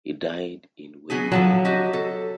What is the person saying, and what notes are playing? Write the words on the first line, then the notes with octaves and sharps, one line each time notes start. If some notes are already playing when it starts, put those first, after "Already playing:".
He died in Weimar.
F#3 B3 G#4
D3 F3 F#3 A5
F#4 G4 D#5
A4